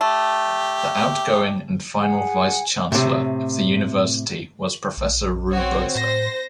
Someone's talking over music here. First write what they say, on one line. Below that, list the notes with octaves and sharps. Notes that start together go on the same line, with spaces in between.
The outgoing and final vice chancellor of the University was Professor Roux Botha.
A3 G4
G#4 F#5 G#5
A2 C3
A#1
C4 F#4 C#5
A2 C5 A#6